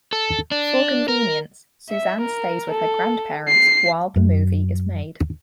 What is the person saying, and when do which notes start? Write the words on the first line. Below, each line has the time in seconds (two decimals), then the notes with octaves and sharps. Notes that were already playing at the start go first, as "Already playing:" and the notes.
For convenience, Suzanne stays with her grandparents while the movie is made.
0.13 A4
0.51 D4
1.08 A#4
1.89 E5
2.22 A#4
2.71 A4
3.48 C7
4.16 F#2